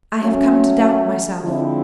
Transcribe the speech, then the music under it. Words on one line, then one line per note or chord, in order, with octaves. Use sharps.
I have come to doubt myself.
F#3 A3 C#4
D3 F3 G#3 C4 E4